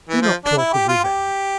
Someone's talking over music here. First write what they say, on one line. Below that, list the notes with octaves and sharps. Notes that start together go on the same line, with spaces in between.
Do not talk of revenge.
E3
F3
D4
E4
G4
F4
G4